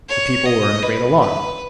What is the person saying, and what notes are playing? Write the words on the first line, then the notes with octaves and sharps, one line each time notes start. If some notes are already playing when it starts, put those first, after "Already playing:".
The people were in great alarm.
C#5
D#5
B4
B4